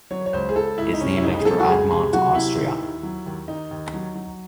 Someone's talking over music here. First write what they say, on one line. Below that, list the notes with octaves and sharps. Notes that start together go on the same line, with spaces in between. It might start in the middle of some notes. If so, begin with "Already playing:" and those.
It is named after Admont, Austria.
F#3 C#5
C#5
C#2 C5
G#4
C#2 A4
C#2 E4
D#4
C3 C#4
E4
C#2 D#4
G#4
F#3 A4
F#4
C#2 G#4
C3 G#4
F#3 F#4
C3 E4
D#3
D#2
F#3
D#2
D#2 D#4
D#2
F#3
F#3